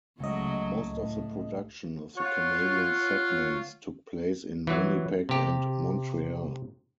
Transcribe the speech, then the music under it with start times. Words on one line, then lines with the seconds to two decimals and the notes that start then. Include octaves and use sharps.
Most of the production of the Canadian segments took place in Winnipeg and Montreal.
0.20 C#2 C#3 F#3 A3 D#5
0.92 A2
2.17 F4 C#5 F#5
4.67 E3 F#3
5.29 C3 G4